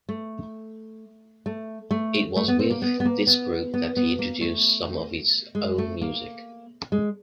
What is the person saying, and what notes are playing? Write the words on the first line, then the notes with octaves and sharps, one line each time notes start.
It was with this group that he introduced some of his own music.
A3
A3
A3
A3
B3
C4
A#3
B3
B3
A#3
B3
B3
B3
A#3
A3
G#3
A3
A#3
G#3